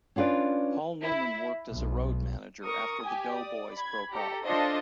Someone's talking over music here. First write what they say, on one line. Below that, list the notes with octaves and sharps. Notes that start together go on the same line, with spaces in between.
Paul Newman worked as a road manager after the Doughboys broke up.
C#4 D4 F4 B4 D5
E4
B1
A#4 C#6 D#6
G4 G#5
D5 D#6
B5 G#6
G4 A4 A#5
D4 F4 A4 C5 D#5 A5